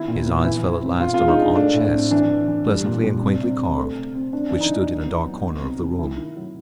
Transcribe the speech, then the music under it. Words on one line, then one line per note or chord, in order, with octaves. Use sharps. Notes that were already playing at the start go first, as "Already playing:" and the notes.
His eyes fell at last on an odd chest, pleasantly and quaintly carved, which stood in a dark corner of the room.
Already playing: D#3 B3 E4
A#2
B3
E3 E4
E3
C4
B2 F4
F4
G#3
D#4
G#3 D4
A3 D4
A2
C4
E3 D4
E3
E3
G3
A#2
G3
C3
C3
C3
A3
C3
C4
C4 D4
E3 D4
D#4
E3
F#3
B3
F#3
B3
C3
C3
F#3 E4
D#3
F#3